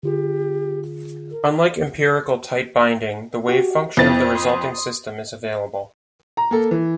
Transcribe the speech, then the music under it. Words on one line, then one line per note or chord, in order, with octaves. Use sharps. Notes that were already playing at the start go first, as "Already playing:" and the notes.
Unlike empirical tight binding the wavefunction of the resulting system is available.
D3 F4 G4 G#4
A#4
F#4 G4
F2 B3 E4 A6
C6 D#6
A#5
A#3 A4
E3